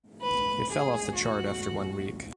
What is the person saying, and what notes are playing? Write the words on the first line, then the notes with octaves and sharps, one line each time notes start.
It fell off the chart after one week.
B4
G#4
F#4